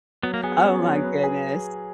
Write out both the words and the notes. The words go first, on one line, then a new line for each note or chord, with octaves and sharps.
Oh my goodness.
F#3 B3
A#3
B3 G#4
C#4
F#3
B4
G#4